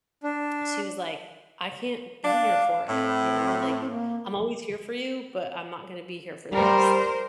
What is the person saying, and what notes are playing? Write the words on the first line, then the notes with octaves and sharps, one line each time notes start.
she was like, "I can't be here for it." You know, like, "I'm always here for you, but I'm not gonna be here for this."
D4
D4 F5
A2 C4
A#3
G3 A#4 C5